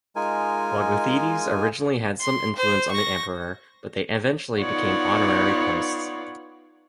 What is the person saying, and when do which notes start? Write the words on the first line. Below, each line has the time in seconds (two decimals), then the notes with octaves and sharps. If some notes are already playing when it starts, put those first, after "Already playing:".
Logothetes originally had some influence on the emperor, but they eventually became honorary posts.
0.16 G#3 D#4 F4 A#4 G#5
2.20 C6
2.56 C5
2.91 C#6 A#6
4.59 B3 D#4 F4 C#5 D5 F#5